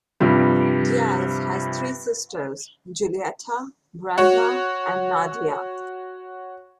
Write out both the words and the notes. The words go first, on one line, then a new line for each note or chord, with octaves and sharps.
Diaz has Three sisters, Julieta, Brenda and Nadia.
G2 C3 F3 G3
F#4 C#5